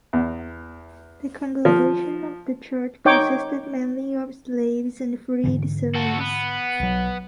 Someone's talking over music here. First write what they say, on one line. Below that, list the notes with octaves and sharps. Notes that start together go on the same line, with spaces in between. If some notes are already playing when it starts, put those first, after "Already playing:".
The congregation of the church consisted mainly of slaves and freed slaves.
E2
F3
D#4 C#5 G5 D6
G#2 D3 E3
F#4 A4
B3
B1 F#3